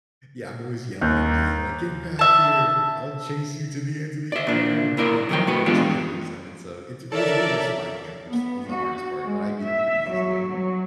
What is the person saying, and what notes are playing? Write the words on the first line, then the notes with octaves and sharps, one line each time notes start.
Yeah, I'm always yelling at the end, like," Get back here, I'll chase you to the ends of the Earth," and eventually, I lose him, and so it it was really just finding him, which was the hardest part, but I beat him pretty easily.
D#2
E5 A5
D5 E5
A#2 D4
A#2 E4 A#4 D5
F2 C3 D#3 F#3 G5
A3 F#4 B4
E3 G#3 B3 D4 F4 G4
A4 A#4 C#5 D5 E5
B3
F#4
G#3
E5
F#3
F#3